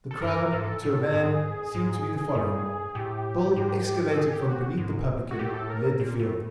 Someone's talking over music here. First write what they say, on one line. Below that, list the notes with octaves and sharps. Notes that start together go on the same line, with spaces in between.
The crowd, to a man, seemed to be following. Bill, excavated from beneath the publican, led the field.
A4
G2 A#4
G#2 A4
A2
G#2 G#4
G#2
G2
A2 G4
G#2
A4
G#4
G4
F#4
G#2
F#4
A2 G4
A4
A#4
A#2
A2